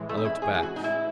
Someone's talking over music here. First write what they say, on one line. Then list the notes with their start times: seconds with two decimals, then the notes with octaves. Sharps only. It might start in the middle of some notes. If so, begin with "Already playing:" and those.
I looked back.
Already playing: A2 E3 G#3
0.09 A3
0.17 D#4
0.25 E4
0.42 G#4
0.54 G#4
0.63 F#4
0.76 D#4
0.84 E4